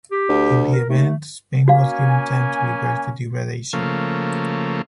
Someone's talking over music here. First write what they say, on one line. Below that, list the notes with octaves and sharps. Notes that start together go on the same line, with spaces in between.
In the event, Spain was given time to reverse the degradation.
G4
D2
A#4
D#2 A3
A#3 C#4 F#4 F5 G#5
C#3 F3 A3 A#3